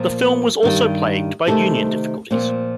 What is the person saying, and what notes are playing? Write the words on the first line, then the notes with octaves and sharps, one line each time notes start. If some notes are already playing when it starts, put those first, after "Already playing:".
The film was also plagued by union difficulties.
Already playing: A#2 F3 A#3
G2 D#3 G3
C3 D#3 A3 C4 A4
A#2 F3 C4